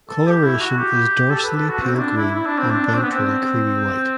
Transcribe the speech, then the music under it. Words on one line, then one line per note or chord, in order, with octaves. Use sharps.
Coloration is dorsally pale green and ventrally creamy white.
A4
G4
E4
F#4
G4
A4
B4
A4
F#4
C4
E4
D4
E4
E4
D4
C4
D4
D4
C4
B3
C4